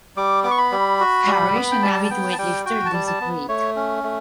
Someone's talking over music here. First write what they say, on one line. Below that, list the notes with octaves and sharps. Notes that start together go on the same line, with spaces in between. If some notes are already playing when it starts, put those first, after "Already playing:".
Parrish, an avid weight lifter, disagreed.
G3 D6
B3 D6
C#6
B5
G3
F#4
G3
B3
G5
G3 A5
A5
B3 G5
A5
G3 G5
F#4 G5
A5
G3
A5
B3
A3 C#5
C#4
A3